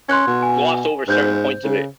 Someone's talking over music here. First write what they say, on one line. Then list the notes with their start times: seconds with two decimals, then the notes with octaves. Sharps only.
gloss over certain points of it,
0.09 C#4 C6 F#6 G#6
0.27 B2
0.43 G#5
1.08 G#2 C5 G6
1.64 C#3